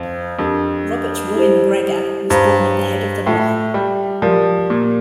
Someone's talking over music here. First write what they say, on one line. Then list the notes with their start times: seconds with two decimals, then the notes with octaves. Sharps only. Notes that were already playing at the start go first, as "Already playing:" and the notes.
Robert Roy MacGregor was born at the head of the loch.
Already playing: F2 C5 F5
0.39 F2 D4 G4 A#4
1.35 E4 G4 C5
2.30 G2 C5 F5 A#5
3.26 A2 F4 A4 E5 A5
3.74 G3
4.22 F3 G4 A#4 D5
4.70 A#2